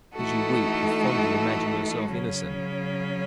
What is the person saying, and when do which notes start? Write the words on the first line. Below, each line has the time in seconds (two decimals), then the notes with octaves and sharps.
Because you weep, you fondly imagine yourself innocent?
0.15 E3 A3 D#4 F#4 A4
2.09 C#3 F#3 C#4